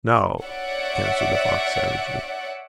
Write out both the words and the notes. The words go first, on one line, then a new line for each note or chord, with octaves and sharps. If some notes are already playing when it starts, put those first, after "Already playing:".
"No," answered the fox savagely.
C#5 D5 E5 F#5